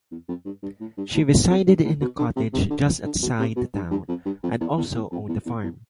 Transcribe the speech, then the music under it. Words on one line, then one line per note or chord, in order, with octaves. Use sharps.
She resided in a cottage just outside the town, and also owned a farm.
E2
F2
G2
G2
A2
G2
A2
F2
G2
A2
B2
D3
C3
C3
D3
D3
B2
C3
B2
G2
G2
F2
G2
F2
E2
E2
E2
F2
E2
E2
E2